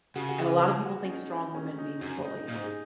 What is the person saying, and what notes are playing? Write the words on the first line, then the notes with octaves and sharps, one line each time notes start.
and a lotta people think strong woman means bully.
C#3 F#4
F#4
G#4
G#4
F#4
C#4
D#4
C#4
C#4
D#4
F#2 C#4
D#4
A#2 D#4
G#2
G#4